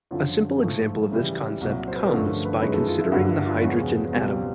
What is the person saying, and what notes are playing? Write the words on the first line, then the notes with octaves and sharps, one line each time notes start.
A simple example of this concept comes by considering the hydrogen atom.
F#2 D3 F3 F4
G#2 F3 A3
C#3 E3 G3
C2 A#2 F#3 F#4
C5
B4
A#4
G2 D3 F3 A3 C#4 A4
A#4
B4
F#2 D#3 G#3 C#4 E4 B4
A4
F4
E4
G2 D3 F3 A#3 D4 F#4
E4
F4
E2 C#3 F3 G#3 C#4 F#4
C#2 B2 G3 C4